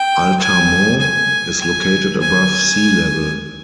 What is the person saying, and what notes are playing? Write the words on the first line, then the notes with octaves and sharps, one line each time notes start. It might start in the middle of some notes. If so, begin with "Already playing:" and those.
Altamont is located above sea level.
Already playing: G5
G#5
G#5
G#5
G#5